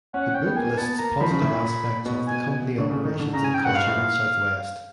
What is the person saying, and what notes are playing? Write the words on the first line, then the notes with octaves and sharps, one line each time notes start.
The book lists positive aspects of the company operations and culture at Southwest.
C#4 F#5
C#4 G5
B3
A#3 G#5
A#3
B3 A5
A#3 A#5
F3 B5
C#3
A2
A#2
B2
G#5
D3
C#3
D#3
D3
C#3 A#5
G#5
C#3 G5
G2 F#5
G#2 F5
A2
A#2